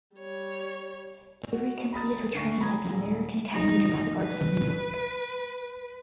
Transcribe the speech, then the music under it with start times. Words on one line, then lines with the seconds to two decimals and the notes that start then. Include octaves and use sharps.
Avery completed her training at the American Academy of Dramatic Arts in New York.
0.16 G3 C#5
1.52 F#4
1.93 A#5 B5 D#6 A6
2.35 D2 C#6 C7
2.61 A#5 B5 D#6 G#6
2.90 D#1 G#4 A#5
3.53 D#4
4.23 B4